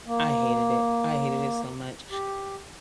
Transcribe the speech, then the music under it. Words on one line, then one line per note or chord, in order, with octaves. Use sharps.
I hated it, I hated it so much.
A#3
G4